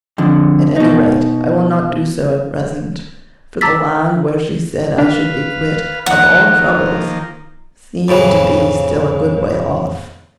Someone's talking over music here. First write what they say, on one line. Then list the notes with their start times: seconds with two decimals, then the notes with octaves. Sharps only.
At any rate I will not do so at present, for the land where she said I should be quit of all troubles seemed to be still a good way off.
0.18 F2 D3
0.76 B2 D#4
3.61 A5 A#5 D6 E6 A6 B6
4.98 D4 B4 F5
6.06 D#3 F3 A#3 F#5
8.08 F2 A2 C#3 E3